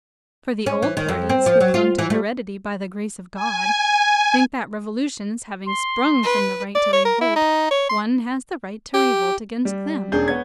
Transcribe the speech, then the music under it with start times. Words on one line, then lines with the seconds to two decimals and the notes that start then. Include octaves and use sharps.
For the old parties who clung to heredity by the grace of God, think that revolutions, having sprung from the right to revolt, one has the right to revolt against them.
0.66 C#4
0.82 E3
0.97 D#3
1.09 F2
1.29 C4
1.46 F3
1.60 F#3
1.74 F4
1.98 E3
2.10 A3
3.35 G#5
5.66 C6
6.23 B4
6.75 D5
6.93 C#5
7.05 A#4
7.22 E4
7.36 D#4
7.71 C#5
7.89 C6
8.94 G4
9.65 G3
10.12 E1 C#4 D4 G#4 G6
10.28 B3 C#5 G#6